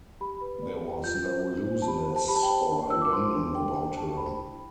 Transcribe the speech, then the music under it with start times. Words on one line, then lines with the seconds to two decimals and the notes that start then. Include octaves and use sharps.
There was no looseness or abandon about her.
0.21 G4 B5
0.41 B4
0.62 D5
0.83 G4
1.04 F4 G6
1.25 C5
1.46 F4
1.67 C5
1.82 A5
1.88 G4 B5
2.09 C5
2.16 A5
2.28 G4 B5
2.36 A5
2.43 G5
2.50 C5
2.71 D4 A5
2.90 F4 E6
3.02 D6
3.13 C5 C6
3.34 D4
3.54 G4 G5
3.76 C5 G5
3.97 G4 A5
4.17 C5 B5
4.38 E4